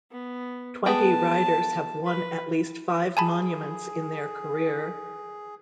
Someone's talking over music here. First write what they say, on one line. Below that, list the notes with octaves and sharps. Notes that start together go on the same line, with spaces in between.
Twenty riders have won at least five Monuments in their career.
B3
B3 G#4 G5 A5
B4
G#4 G#5 A5 B5